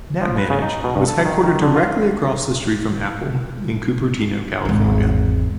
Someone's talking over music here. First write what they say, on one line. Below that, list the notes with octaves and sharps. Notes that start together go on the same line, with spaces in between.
NetManage was headquartered directly across the street from Apple in Cupertino, California.
F3
B4
C#3
D#4
B2
G2
A4
D#3
D#3
D3
F4
G#1 E2